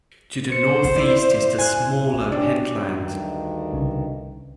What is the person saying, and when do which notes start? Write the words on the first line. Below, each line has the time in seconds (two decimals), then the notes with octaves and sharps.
To the northeast is the smaller Pentland.
0.52 C5 C#7
0.96 E4 D5
1.58 G#5 F#6
2.32 C#4 D4 G4
2.94 D2 G2 D#3
3.73 C2 C#3